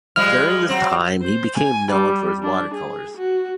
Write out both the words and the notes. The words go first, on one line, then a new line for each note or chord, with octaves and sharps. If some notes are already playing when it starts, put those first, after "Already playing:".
During this time he became known for his water colours.
F3 G3 G#3 F6
F#3 C4
C5
G#5
G3
D4
G#4
F#4